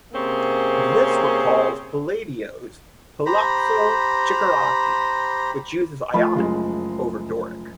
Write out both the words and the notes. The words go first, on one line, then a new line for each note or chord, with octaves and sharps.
This recalls Palladio's Palazzo Chiericati, which uses Ionic over Doric.
C3 A#3 C4 C#4 G#4
G4 C5 A#5 B5
F3 A3 F4 B5
F#1 G#3